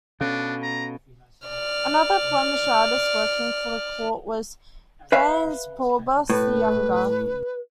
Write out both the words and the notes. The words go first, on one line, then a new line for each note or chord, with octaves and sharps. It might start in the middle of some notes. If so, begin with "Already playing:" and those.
Another Flemish artist working for the court was Frans Pourbus the younger.
B2 C#4 D4 A4 F5
A#5
D5 F6
B4 E5 F5
A2 B4